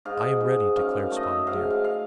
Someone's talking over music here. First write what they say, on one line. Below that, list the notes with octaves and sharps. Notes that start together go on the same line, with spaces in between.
"I am ready," declared Spotted Deer.
G#2 F5
G#2
F#2 F5
F5
A3 D#5
E5
G#2 F5
F5
F5